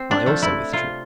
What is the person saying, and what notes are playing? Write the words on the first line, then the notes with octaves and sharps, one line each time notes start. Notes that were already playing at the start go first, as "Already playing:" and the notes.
I also withdrew.
Already playing: C4
D4
F3 A3
E4
C3 F4